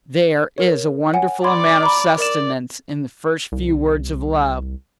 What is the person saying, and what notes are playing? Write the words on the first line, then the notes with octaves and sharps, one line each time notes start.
There is a wonderful amount of sustenance in the first few words of love.
A#4 C#5
C#5 F#5 G#5
D5 B5 C6 D6 G#6
A#5 B5
A#4 D5 E7
C2